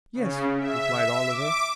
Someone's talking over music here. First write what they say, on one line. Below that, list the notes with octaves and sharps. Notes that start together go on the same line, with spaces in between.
'Yes,' replied Oliver.
C#3
E5
D6